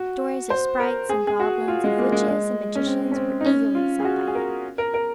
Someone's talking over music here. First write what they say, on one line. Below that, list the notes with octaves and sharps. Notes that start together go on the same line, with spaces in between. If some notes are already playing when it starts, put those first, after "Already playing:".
Stories of sprites and goblins, of witches and magicians, were eagerly sought by him.
Already playing: F#4
C5
A#4
G#4
G#4
F#4
F4
G#3
A#3
G#3
G#3
C#4
C4
C#4
C4
D#4
C#4
F4
G#4
F#4
G#4
A#4
A#4
A#4